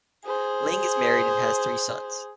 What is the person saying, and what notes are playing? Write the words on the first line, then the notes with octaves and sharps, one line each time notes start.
Ling is married and has three sons.
G#4 C5